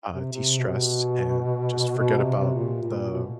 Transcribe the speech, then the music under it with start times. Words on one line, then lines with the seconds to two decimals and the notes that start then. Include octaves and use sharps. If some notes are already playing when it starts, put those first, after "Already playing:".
uh, de-stress and just forget about the
0.13 C3
0.32 C3
0.59 B2
1.99 B2
2.17 C3
2.36 C3
2.55 A#2
2.83 A#2
3.11 B2